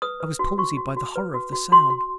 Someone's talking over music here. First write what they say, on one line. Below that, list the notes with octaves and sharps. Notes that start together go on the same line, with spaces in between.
I was palsied by the horror of the sound.
B4 D#6
B4
F#4
F#4 C#6
F#4
F#4
B4
F#4
F#4
F#4 C6
F#4